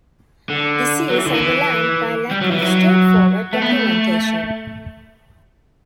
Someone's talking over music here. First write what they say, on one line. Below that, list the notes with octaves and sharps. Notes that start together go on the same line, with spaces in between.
This is underlined by lack of straightforward documentation.
D3
F#3
E3
D3
E3
G3
F#3
E3
F#3
A3
B3
A3